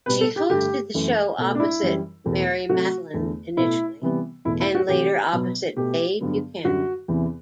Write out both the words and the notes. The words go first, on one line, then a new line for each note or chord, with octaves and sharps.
She hosted the show opposite Mary Matalin initially, and later opposite Bay Buchanan.
B2 G3 B3 B4
A4
G4
G2 D3 A3 G4
F#2 E3 A3
B2 A3
D4
E4
F#2 E3 G3
E2 B2 A3
C3 F#3 A3 F#4
E2 D3 A3
B2 A3 E4
C3 E3 G3 B3
E2 B2 A3 E4
E4
F#4
C3 E3 A3 G4
B2 F#3 B3
B2 A3 G4
G2 D3 F#3 B3
F#2 D3 G3 F#4
E2 C3 E3 B3